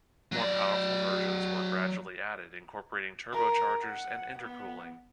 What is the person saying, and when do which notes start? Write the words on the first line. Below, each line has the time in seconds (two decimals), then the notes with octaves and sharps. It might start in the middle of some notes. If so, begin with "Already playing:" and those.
More powerful versions were gradually added, incorporating turbochargers and intercooling.
0.32 F#3 D5
3.32 A#4
3.83 F#5
4.38 B3